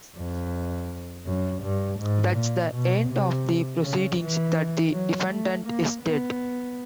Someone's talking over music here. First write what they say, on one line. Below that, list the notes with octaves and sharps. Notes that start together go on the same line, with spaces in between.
That's the end of the proceedings, that the defendant is dead.
F2
F#2
G2
G#2
A#2
B2
C3
C#3
E3
F#3
A3
A#3
B3